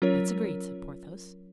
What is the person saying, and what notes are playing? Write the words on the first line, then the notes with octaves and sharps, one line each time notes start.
"That's agreed," said Porthos.
F#3 C#4 F4 A#4 C#5